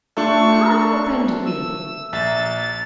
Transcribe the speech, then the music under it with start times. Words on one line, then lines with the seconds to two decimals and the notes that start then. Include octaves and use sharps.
"You have offended me."
0.17 A3 D4 F4 A4 C#6
1.45 E6
2.13 A#1 E5 A#5 A6